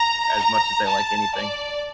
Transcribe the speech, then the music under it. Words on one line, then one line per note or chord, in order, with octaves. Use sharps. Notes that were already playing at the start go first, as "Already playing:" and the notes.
as much as they like anything.
Already playing: A#5
A#5
A5
D5